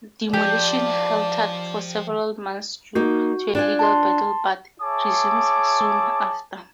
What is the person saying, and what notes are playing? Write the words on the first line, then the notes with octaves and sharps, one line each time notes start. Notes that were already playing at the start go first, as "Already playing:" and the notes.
Demolition halted for several months due to a legal battle, but resumed soon after.
F3 G4 D5 A5
A#3 D#4 F#4
D4 F4 G#5
A5 C6
G#4 C#5 E5 A5 D6